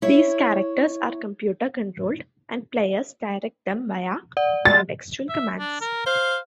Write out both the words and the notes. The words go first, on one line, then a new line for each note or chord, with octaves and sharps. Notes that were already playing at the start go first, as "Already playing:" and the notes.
These characters are computer-controlled, and players direct them via contextual commands.
E4 C#5
D5 F#5
G3 G#3 A6
E5
D4
A#4
C5 F5